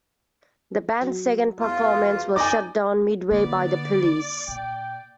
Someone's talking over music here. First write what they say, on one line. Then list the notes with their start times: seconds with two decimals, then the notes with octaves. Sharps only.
The band's second performance was shut down midway by the police.
1.01 F#3
1.59 E2 F4
2.36 D#4 D5 D#5 G#5 D6
3.31 D3 A#3 B3 D5
4.48 A#2 G5